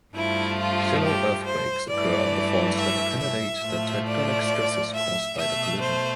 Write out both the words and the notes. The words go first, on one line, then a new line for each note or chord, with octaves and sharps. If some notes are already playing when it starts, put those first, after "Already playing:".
Shallow earthquakes occur on faults that accommodate the tectonic stresses caused by the collision.
G2 F3 A3 E4
F4
G4
C5
G2 E3 A3 D5
E5
E5
A2 F3 A3
D5
E5
B2 A3 E5
C5